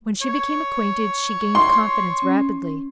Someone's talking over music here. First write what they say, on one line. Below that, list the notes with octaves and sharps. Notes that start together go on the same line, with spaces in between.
When she became acquainted she gained confidence rapidly.
C#5
C6
C#4